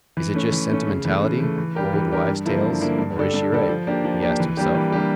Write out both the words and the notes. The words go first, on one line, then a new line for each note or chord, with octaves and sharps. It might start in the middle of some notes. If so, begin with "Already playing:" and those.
"Is it just sentimentality, old wives' tales, or is she right?" he asked himself.
E3
A3 C#4
E3
A3 C#4
C#3
E3 A3
C#3
E3 A3
E3
G3 D4 G4 A#4
E3
G3 D4 G4 A#4
G2
D3 F3 A#3 E4
G2
D3 F3 A#3 E4
G2
D3 G3 D4 A4
G2
D3 G3 D4 A4
F3
A#3 D4 G4
F3
A#3 D4 G4
E3
G3 A#3 D4 G4
E3
G3 A#3 D4 G4